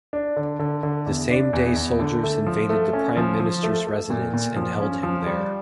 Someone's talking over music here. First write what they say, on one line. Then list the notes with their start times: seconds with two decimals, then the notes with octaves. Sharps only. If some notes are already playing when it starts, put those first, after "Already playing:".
The same day soldiers invaded the Prime Minister's residence and held him there.
0.13 D4
0.36 D3
0.59 D3
0.83 D3
1.06 E2
1.30 D4
1.53 E2
1.76 E2
2.00 D3
2.23 A3
2.46 F3
2.69 A3
2.93 C#4
3.17 F3
3.40 F3
3.63 A3
3.87 A3
4.10 A#2
4.34 A#2
4.56 F3
4.80 C#4
5.03 F3
5.26 G3